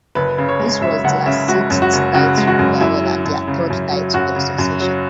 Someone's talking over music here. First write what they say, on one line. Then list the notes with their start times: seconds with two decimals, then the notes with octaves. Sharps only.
This was their sixth title overall and their third title in succession.
0.15 F#1 B4
0.38 C#3
0.49 C#5
0.59 G#3
0.81 F#2 E5
1.04 F#1 F#5
1.26 C#3 E5
1.48 G#3 F#4
1.70 F#2
1.82 F#4
1.93 F#1
2.14 C#3 F#4
2.37 G#3
2.47 F#4
2.59 F#2
2.81 F#2 E4
3.04 F#3
3.26 F#2
3.48 C#3
3.70 F#2
3.91 F#3
4.14 F#2 F#4
4.36 C#3
4.59 F#2
4.80 F#3